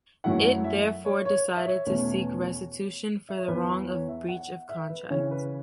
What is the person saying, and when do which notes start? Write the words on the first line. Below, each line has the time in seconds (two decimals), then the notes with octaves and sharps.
It therefore decided to seek restitution for the wrong of breach of contract.
0.24 F#2 F#3 A3 E4 F#5
0.64 E5
1.05 C#5
1.25 C#5
1.56 E5
1.66 C#5
1.86 E2 B2 A3 C#4
3.29 E5
3.38 C#5
3.48 E2 E3 B3 E4 B4
3.68 B4
3.89 C#5
4.08 E5
4.29 F#5
4.69 E5
4.90 B4
5.10 C#3 E3 C#4 C#5
5.31 B4